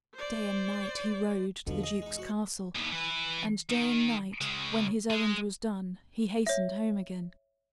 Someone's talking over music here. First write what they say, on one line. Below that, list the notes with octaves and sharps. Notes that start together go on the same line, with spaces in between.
Day and night he rode to the duke's castle, and day and night, when his errand was done, he hastened home again.
C5 D5
E2 B2 D3 F3
G#4 D#5
G#3 D#4
F#4 C5
D#2 B3
E3 B4
D#3
C#3 G#3
G#3
C#5 E5